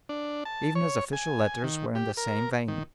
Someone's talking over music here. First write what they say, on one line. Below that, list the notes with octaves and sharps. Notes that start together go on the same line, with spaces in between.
Even his official letters were in the same vein.
D4
A5
C#5
G#5
D#3
G4
A#4
D#3